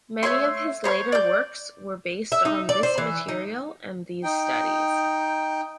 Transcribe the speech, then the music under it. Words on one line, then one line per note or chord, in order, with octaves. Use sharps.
Many of his later works were based on this material and these studies.
A3 C#5 E5 C6
C5 C#5 B5 C6
D5 G6
E5
D#4
D5
C5
E3
D#4
D#4 G5